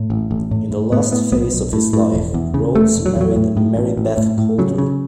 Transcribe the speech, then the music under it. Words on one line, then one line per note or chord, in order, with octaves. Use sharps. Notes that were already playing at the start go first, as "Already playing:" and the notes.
In the last phase of his life, Rhodes married Mary Beth Coulter.
Already playing: A2
A1
A1
A2
A2
A2 B3
A2 B3
B1 B3
B1
A2
A2
E1
E2
C#3
E1 A3
E1
F#3
E2
F#3
A2
A2
A1
A1
A2
A2
C#3 F#3
C#3